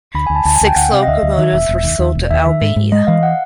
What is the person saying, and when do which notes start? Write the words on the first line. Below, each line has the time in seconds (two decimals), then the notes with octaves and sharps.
Six locomotives were sold to Albania.
0.14 D2 B5
0.26 D2 G#5
0.35 A5
0.45 D2 A5
0.56 G#5
0.61 D2
0.67 G5
0.76 D2 F#5
0.92 C3 F5
1.03 D#5
1.07 D2 E5
1.23 D2
1.38 D#3 E5
1.53 E1 E5
1.69 E1
1.84 D#2
1.99 D#2
2.15 E1
2.30 D#2 E5
2.46 D#3
2.61 G#2
2.76 G#2
2.92 G#3 D#5
3.07 E3 F5
3.23 F#5